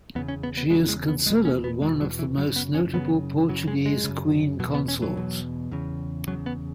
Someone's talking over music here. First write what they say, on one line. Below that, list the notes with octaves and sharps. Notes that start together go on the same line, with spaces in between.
She is considered one of the most notable Portuguese queen consorts.
E2 C#3 B3
C#4
B3
B3
E2 C#3 G#3
G#3
B3
E2 B2 G#3
C#4
B3
E2 B2 G#3
F#3
E3
F#2 C#3 F#3
B3
C#4
F#2 C#3 B3
F#2 C#3 F#3
G#3
G#3
F#2 C#3
B2 F#3
E2
B3
C#4
F#3
E2 B2
E2 C#3
E2 C#3 F#3
B3